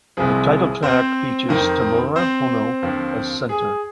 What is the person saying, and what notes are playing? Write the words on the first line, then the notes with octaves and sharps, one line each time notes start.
The title track features Tamura Hono as center.
C2 C3 F3 G#4
C4 C5
F2 D#3
C4 C5
D#2 D3 F3
G#4